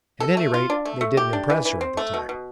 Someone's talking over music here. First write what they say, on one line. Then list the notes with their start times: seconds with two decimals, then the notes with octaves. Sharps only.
At any rate, they didn't impress her at the time.
0.20 A4
0.37 A3
0.54 F4
0.70 D4
0.85 A3
1.01 A3
1.17 G4
1.33 D4
1.50 E3
1.65 E3
1.81 C4
1.97 A3
2.14 B2
2.29 B2